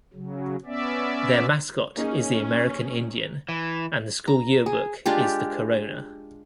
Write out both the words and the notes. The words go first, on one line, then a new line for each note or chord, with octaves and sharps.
Their mascot is the American Indian and the school yearbook is "The Corona".
C#3 F#3
B3 C#4 D5 E5
A#3 C#4 D#4 G#4
E3
A#5
G#4
G#3 D4 F4 G4